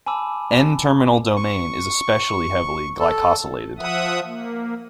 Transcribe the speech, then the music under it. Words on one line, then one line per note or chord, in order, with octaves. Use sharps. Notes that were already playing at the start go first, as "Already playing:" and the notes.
N-terminal domain is especially heavily glycosylated.
G#5 A5 B5 D6 E6
C#6
A4
F3 E5 F#5 D#6
A#3